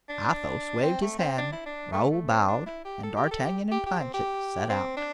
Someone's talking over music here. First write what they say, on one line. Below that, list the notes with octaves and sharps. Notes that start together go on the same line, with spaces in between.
Athos waved his hand, Raoul bowed, and D'Artagnan and Planchet set out.
D4
C4
A3
C4
D4
E4
D4
A3
A3
C4
D4
E4
G4
A4
G4
A4
G4
G4
G4
C4
G4
C4
D4